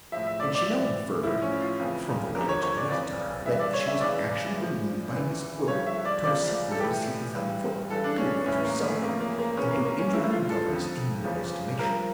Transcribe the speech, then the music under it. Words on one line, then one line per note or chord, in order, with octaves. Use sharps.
And she now inferred, from the language addressed to her, that she was actually believed by Miss Gwilt to have set those proceedings on foot, to advance herself, and to injure her governess, in your estimation.
A2 F3 E5
E5
D5
D5
A2 E3
A2 F3 E4
C#4
F4
F2 C#3 E3
E2 D3 F3 A#4
C#5
C#5
D5
F2 C#3 E3 D5
G2 E3 E5
D5
C#5
E5
E2 C#3 E3 D5
A2 F3
E2 E3
G2 D3 F3 C#5
E5
D5
E2 C#3 F3 D5
A4
A2 E3 G4
G2 E3
G2 E3 A4
D4
C#4
A2 E3 C#4
A#3
A3
F2 C#3 F3 A#3
A#3
A#3
E2 E3 C#4
A#3
A#3
C#4
G2 D3 F3 E4
E4
F4
A4
F2 D3 F3
E2 C#3 F3
G2 F3 A#4